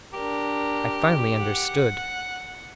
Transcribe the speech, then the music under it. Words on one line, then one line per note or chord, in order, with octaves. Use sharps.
I finally understood!
D4 G4 A#4
F#5